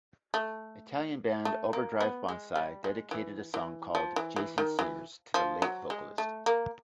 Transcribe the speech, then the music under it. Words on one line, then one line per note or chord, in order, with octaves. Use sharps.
Italian band Overdrive Bonzai dedicated a song called "Jason Sears" to the late vocalist.
A3
A3
A#3
B3
G#3
G3
G#3
E3
E3
F3
E3
E3
D#3
E3
F3
F#3
G#3
A3
A#3